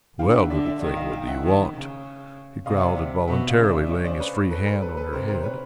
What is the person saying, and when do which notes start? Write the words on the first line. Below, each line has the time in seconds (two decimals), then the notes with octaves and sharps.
"Well, little thing, what do you want?" he growled, involuntarily laying his free hand on her head.
0.19 D3 F5 G5
0.35 E5 F#5
0.49 D3 D5 E5
0.65 D5 E5
0.81 D#3
0.96 D#5 F5
1.11 F5 G5
1.27 E5 F#5
1.43 D#3
1.74 C#3
2.66 C3 D#5 F5
2.77 F5
2.81 D5 E5
2.97 E5 F#5
3.28 B2 E5 F#5
3.48 D#5 F5
3.58 C#3
3.68 D5 E5
3.89 C#5 D#5
4.05 C5 D5
4.20 B4 C#5
4.50 A4 B4
4.66 A#4 C5
4.82 A4 B4
4.97 A4 B4
5.13 C3 A#4 C5
5.28 A#4 C5
5.43 B4 C#5